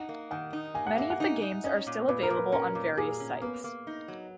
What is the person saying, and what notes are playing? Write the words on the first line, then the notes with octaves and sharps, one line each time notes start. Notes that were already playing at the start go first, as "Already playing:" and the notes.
Many of the games are still available on various sites.
Already playing: D#4 F#5
A#3
D#3 F#5
D#4
A#3 G#5
F#5
A#3 E5
F#5
D#4
D#4
C#4 D#5
A#2
A#2 B4
A#4
A#2
B4
C#4 A#4
A#2
A#2 G#4
C#4
A#3 B3
A#3
D#4
F#3